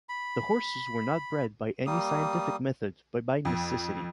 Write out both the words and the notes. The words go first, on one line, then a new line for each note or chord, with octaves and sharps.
The horses were not bred by any scientific method but by necessity.
B5
G3 A#3 D#6
F2